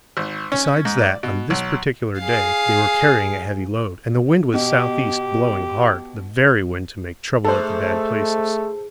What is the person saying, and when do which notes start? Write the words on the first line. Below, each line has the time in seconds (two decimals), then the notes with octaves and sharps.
Besides that, on this particular day they were carrying a heavy load, and the wind was southeast, blowing hard--the very wind to make trouble at the bad places.
0.17 G#1
0.52 C#4
0.85 G#2
1.01 D5
1.23 B2
1.50 B1
2.19 G#4 F5
4.54 B2 G4
7.44 G#2 A3 A4 C5